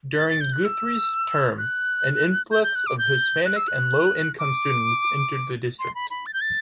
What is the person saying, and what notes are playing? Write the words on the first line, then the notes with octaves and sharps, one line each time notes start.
During Guthrie's term, an influx of Hispanic and low income students entered the district.
A6
A6
G6
F#6
E6
F#6
G6
G6
F#6
D6
G6
F#6
E6
F#6
D6
C6
B5
B5
A6
G6
A6